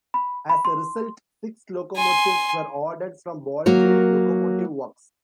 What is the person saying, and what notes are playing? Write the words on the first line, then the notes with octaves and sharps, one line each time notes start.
As a result, six locomotives were ordered from Baldwin Locomotive Works.
B5
B5
C6
G#5 C6
F#3 A#3 F#4 A#4 C#5